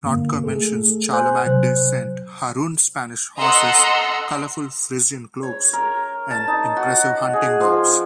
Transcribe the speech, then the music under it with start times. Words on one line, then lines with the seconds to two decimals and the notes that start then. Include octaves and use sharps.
Notker mentions Charlemagne sent Harun Spanish horses, colourful Frisian cloaks and impressive hunting dogs.
0.04 G2 D3 A#3
0.44 A3 G#4 A4
1.13 C5 G#5 C6 F#6 G6
1.46 C3 F#3 C5 F#6
3.40 A4 D#5 F#5 A#5 C6 E6
5.43 C#5
5.73 A#4
6.31 A5
6.48 D#4
6.77 F#4
7.33 G#4
7.61 F3